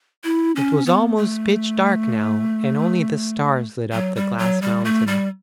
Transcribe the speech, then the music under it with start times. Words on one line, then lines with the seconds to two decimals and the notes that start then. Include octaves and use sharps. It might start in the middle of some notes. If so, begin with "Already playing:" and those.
It was almost pitch dark now, and only the stars lit up the Glass Mountain.
0.24 E4
0.56 C#4
0.86 B3
1.17 A3
3.93 F#3
4.16 G3
4.39 F#3
4.62 G3
4.85 A3
5.07 G3